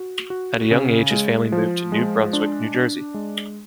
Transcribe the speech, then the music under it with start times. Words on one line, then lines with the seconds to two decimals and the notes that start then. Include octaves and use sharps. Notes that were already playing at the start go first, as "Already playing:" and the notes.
At a young age, his family moved to New Brunswick, New Jersey.
Already playing: F#4
0.30 F#4
0.71 C#3
1.11 G#3
1.52 F3
1.92 G#3
2.33 D4
2.75 D4
3.14 G#3